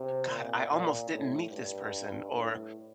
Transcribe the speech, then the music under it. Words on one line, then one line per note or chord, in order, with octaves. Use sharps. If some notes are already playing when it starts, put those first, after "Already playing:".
"God, I almost didn't meet this person," or,
Already playing: C3
A#2
A#2
A2
G2
A2